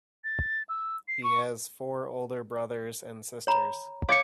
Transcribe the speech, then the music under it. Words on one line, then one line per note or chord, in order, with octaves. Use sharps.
He has four older brothers and sisters.
A6
E6
C7
C#6
C#5 A#5 B5
C#5 F5 D6 G#6 C#7